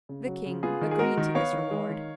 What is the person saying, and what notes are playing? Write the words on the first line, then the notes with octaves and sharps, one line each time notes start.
The king agreed to this reward.
C#3
F#3
C#3
B3 F4 G#4
D#3
G#4
G#3 F#4 A#4
D#3
B3 C#5 F5
D#3
G#3
D#3